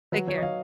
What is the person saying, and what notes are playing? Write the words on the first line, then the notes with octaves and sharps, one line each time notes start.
Take care.
F#3 B4
F#3 C#5
D#5
F#3 F5